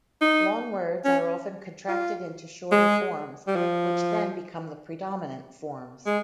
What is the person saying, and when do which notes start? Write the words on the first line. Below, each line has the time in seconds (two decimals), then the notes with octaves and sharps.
Long words are often contracted into shorter forms, which then become the predominant forms.
0.22 D#4
1.05 C#4
1.89 F4
2.72 G#3
3.48 G3
3.56 F3
6.06 G#3